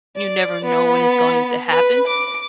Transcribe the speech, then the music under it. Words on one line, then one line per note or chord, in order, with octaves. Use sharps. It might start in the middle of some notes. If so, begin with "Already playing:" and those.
you never know when it's going to happen,
D5
B3
B4
D6